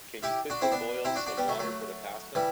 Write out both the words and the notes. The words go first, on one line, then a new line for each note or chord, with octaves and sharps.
Can you quickly boil some water for the pasta?
E4 G4
D4 F#4
C4 E4
B3 D4
C4 E4
D4 F#4
D4 F#4
G3 B3
F#3 A3
F#3 A3
E3 G3